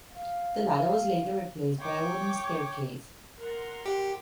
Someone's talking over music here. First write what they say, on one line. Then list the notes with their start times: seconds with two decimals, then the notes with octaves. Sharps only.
The ladder was later replaced by a wooden staircase.
0.12 F5
1.79 C#5 G5 D6
3.39 A#4 F#5 C6
3.86 G4